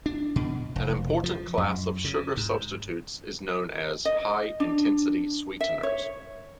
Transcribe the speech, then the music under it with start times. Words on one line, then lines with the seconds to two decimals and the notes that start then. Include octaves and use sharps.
An important class of sugar substitutes is known as high-intensity sweeteners.
0.06 D4
0.36 B2
0.76 F1
1.24 F3
1.58 F#2
2.05 C#3
2.37 G#2
4.05 D#5
4.60 D4
5.61 E5
5.83 C#5